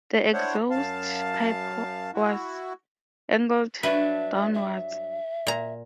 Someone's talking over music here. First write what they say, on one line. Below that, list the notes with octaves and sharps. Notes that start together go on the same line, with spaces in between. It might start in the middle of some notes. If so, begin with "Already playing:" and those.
The exhaust pipe was angled downwards.
D4 E4 C5 C#5 F#5
F#2 F5 A5
E4 F#4
G2 F#3 D4 B4 E5
E5
A#2 A#5